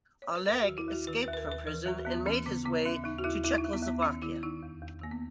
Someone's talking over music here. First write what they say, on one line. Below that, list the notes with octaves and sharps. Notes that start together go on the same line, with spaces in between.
Alleg escaped from prison and made his way to Czechoslovakia.
C#5
B4
D#2 A#4
F#4
D#3
E4
D#2
F#4
D#3 B4
B4
D#2
B4
A#4
D#2
B4
E3 A#4
D#2 F#4
D#2 B3
E3 C#4
C#3 B3
C#3 B3
D#2 C#4
D#2 D#4
F#4
D#2 E4
D#2 E4
D#4
D#2
B3
D#2
B3
D#3 C#4
D#3 E4
D#3 D#4
E2
E2
D#3 A#3
B3